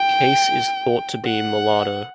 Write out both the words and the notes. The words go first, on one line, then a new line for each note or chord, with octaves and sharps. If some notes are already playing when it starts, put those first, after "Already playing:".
Case is thought to be mulatto.
Already playing: G5
F#5